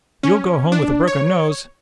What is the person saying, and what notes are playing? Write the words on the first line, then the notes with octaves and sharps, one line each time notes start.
"You'll go home with a broken nose!"
C#4
D4
C#5